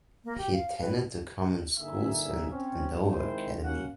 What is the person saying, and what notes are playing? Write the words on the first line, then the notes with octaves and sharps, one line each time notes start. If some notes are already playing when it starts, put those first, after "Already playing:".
He attended the common schools and Andover Academy.
A#3
G4
F5
F5
B4
G2 D3 A#3 D#4 G#4 E5
C4 C#4
D#3 G#3 C4 E4 C5
A#3 C#4 F#4 F5 F#5